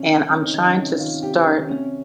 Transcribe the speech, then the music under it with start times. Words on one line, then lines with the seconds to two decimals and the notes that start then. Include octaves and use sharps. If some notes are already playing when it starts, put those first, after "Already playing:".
and I'm trying to start
Already playing: C3 C#4
0.10 D#3
0.32 C3 C#4
0.43 D#4
0.54 D#3 D#4
0.66 C#4
0.77 C3 C#4
0.92 D#4
1.00 D#3 F4
1.23 C3 G4
1.34 G4
1.46 D#3 C#4
1.57 C4
1.69 C3 C#4